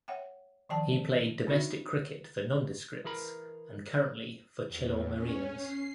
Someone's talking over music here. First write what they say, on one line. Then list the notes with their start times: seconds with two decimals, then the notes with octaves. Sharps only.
He played domestic cricket for Nondescripts and currently for Chilaw Marians.
0.08 C#5 E5 F#5 G5
0.69 D#3 F3 D5 G5 A5
1.47 C4 D4 D#4 F#4 E5
3.04 E3 G#4 A#4 B5
4.66 E2
5.10 C#4
5.54 C7